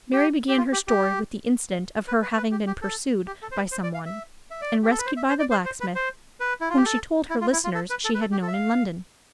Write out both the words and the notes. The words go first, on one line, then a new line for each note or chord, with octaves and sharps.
Mary began her story with the incident of her having been pursued by some one, and rescued by the blacksmith, whom she told her listeners she had known in London.
G4
G4
F4
G4
G4
B4
B4
B4
G4
G4
A4
G4
A4
C5
B4
C5
D5
F5
E5
E5
D5
G4
A4
B4
C5
E5
C5
D5
C5
C5
B4
C5
B4
E4
F4
G4
A4
E4
F4
E4
F4
A4
B4
A4
B4
A4
G4
A4
E5
F5